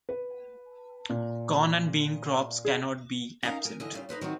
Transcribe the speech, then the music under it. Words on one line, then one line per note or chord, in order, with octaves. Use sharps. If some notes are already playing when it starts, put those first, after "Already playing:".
Corn and Bean crops can not be absent.
B4
A#2
G#4
C#4 D#4 A#4 F5 A#5
A#4 G#5
D3 E3 D#5
C#3 G3 F4
D#4 A4 B4 C5
D#3 F#3 C4 D#4 E4 F#4